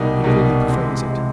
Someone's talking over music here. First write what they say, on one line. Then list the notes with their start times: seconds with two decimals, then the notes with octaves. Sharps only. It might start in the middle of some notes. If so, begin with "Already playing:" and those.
He really prefers it.
Already playing: C2 B2 G3 A#3 D#4
0.24 C2 B2 G3 A#3 D#4
0.67 C3 E3 G#3
1.10 C3 E3 G#3